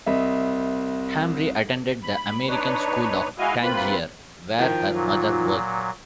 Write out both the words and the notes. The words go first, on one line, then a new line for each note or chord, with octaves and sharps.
Hamri attended the American School of Tangier, where her mother worked.
C2 D#5 E5
B5
D4 D#4 B4 C#5
G#3 E4 F#4 D#5 F5 G#5
D2 A#3 C4 F4 B4 B5
D#3 F3 F4 G5
A#2 F#3